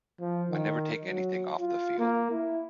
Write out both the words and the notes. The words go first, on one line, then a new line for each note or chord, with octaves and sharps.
I never take anything off the field.
F3
D#3
F#3
F4
A#3
E4